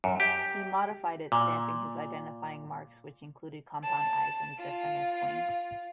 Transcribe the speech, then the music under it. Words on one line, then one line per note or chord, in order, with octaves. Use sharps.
He modified it, stamping his identifying marks, which included compound eyes and diaphanous wings.
F#2
G4
A#2
A5
F4